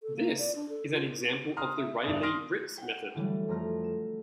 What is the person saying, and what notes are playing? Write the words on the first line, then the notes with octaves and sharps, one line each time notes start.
This is an example of the Rayleigh-Ritz method.
A4
A#3
D5
D4
A4
F4
A#5 C6 D#6 F6
E5
G1 G2 E4 D5 D#6
C6 D#6 F6 A#6 D7 D#7
F#5 G5
D3 E3 F#3 G3 A3
F2 A3 A#5 F6 A#6
E7